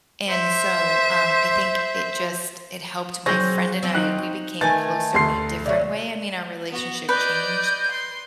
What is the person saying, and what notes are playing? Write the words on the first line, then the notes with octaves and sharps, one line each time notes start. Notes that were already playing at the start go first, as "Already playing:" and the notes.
and so, um, I think it just it helped my friend and I, we became closer in a different way, I mean, our relationship changed.
C5 E5
F#3 C4 G#4 F#5 C#6 G6 A#6
C4 F4
D#4 F#6
D#3 A3 B4 G#5 A5 G6 A6
D2 C6 C7
D3 F#3 D5 E5 C#6
B3 F#4
B4 D5 D#5 G6
C6